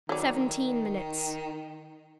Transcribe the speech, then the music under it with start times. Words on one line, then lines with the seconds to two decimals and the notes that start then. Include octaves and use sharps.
Seventeen minutes.
0.09 D#3 F#3 D5